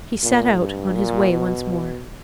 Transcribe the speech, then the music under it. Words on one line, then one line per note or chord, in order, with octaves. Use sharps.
He set out on his way once more.
A#2
G2
A#2
B2